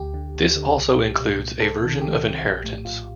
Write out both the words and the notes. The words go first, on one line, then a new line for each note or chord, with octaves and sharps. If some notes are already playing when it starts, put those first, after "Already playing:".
This also includes a version of inheritance.
Already playing: D2 G4
D3
D2
D3
C2
A#2
C2
A#2
C2 A4
C3 D#3
C2 G4
C3 D#3
A#1
A2
A#1 F4